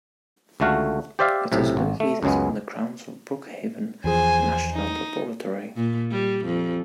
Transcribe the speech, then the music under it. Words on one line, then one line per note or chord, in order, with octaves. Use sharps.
It is located on the grounds of Brookhaven National Laboratory.
C#2 D3 A3 F#4 F5
G4 C5 D5 E5 F5
B1 A2 C3
G#1
A3
C#2 F#2 C#3 G#3 B3
E2 F3 G#4 C5 G#5
D#4
A#2
G3
F2